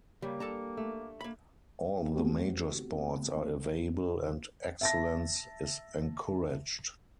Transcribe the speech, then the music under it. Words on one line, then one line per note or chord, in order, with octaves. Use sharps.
All the major sports are available and excellence is encouraged.
C#3 G3 A#3
D4 A4 A5 A#5
A3
A#3 B5
A3 B3 C4 F#4 G4
E5 A5 A#6